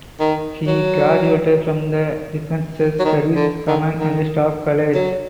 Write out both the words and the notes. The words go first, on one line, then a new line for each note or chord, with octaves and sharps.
He graduated from the Defence Services Command and Staff College.
D#3
F#3
F#3
D#3
D3
D#3
D#3
F#3